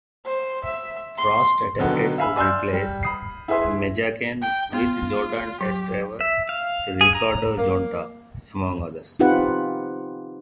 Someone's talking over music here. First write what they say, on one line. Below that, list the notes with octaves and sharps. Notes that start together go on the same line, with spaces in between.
Prost attempted to replace Mazzacane with Jordan test driver Ricardo Zonta, among others.
C5
E5
C6
B2 D3 D#3 F#3 B3
E5 F5 G#5 B5 E6
D5 G#5 C6 E6 F6 G6
G3
B5 D#6 C7
E4 G#4 B4 E5 C6
G5
B3 F4
F#3 G4
E5
F5
G#4
A#5
A#3
C4 D#4 F4 G4 B4 F#5